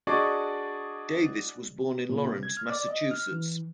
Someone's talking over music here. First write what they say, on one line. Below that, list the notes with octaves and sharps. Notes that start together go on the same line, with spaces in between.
Davis was born in Lawrence, Massachusetts.
D4 F#4 G#4 D5 D#5 C#6
A#2
C3
G#6
F6
D5
D#5
F6
E3